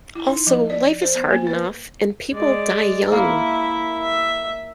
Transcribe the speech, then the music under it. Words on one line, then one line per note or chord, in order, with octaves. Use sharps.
Also, life is hard enough, and people die young.
E4
D#4
F3
D5
C5
B3
A#3
B4
G#3 D5
A#3 E4 E5
E5